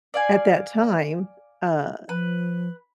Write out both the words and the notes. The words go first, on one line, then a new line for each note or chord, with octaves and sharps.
at that time, uh,
D5 F5 G#5
F3 B4